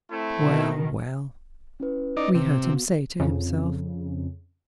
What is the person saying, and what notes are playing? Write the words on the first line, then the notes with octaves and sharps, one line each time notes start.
"Well, well!" we heard him say to himself.
A3 C4 E4
B2 D#3
C#4 E4 B4
D#4 D5
C3
B3 F#4
F2 C#3